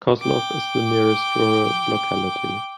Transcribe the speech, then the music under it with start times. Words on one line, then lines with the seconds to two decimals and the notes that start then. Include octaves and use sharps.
Kozlov is the nearest rural locality.
0.20 G5 D6